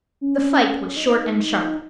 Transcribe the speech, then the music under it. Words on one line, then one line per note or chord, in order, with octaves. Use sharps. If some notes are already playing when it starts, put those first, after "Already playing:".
The fight was short and sharp.
C#4
D#4